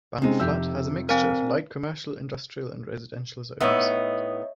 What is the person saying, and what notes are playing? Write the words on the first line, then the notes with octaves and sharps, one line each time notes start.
Bang Phlat has a mixture of light commercial, industrial and residential zones.
C3 G#3 C4 C#4 D#4
F2 G4 E5 E6
C4 A#4 D5 F5 G#5
A2 B3 D#4 C#5 D#5 E5